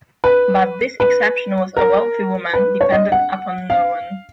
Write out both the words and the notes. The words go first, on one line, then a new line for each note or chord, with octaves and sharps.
But this exception is a wealthy woman, dependent upon no one.
B4
B4
A#4
B4
C#5
D#5
F#5
F5